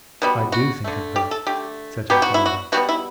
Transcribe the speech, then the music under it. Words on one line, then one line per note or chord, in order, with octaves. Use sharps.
"I do think of her," said her father.
B2 G3 B3
F#4
D3 A3
G4
A4
D3 A3 G4
B2 F#3 B3 G4
F#4
E4
F#4
B2 G3 B3 F#4
E4